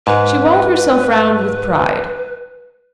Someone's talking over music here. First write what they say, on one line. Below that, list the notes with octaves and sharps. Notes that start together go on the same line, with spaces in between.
She walled herself round with pride.
G#2 B4